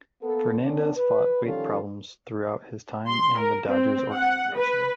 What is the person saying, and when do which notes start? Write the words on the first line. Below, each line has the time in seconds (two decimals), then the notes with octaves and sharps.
Fernandez fought weight problems throughout his time in the Dodgers organization.
0.21 A#3 B3 A4
0.62 D#3 B3 C#4 D4
0.96 B4
1.45 D#3 F3 G3 C#4 F4 A4
3.08 C6
3.39 A#4
3.68 C4
4.13 F#5
4.56 B4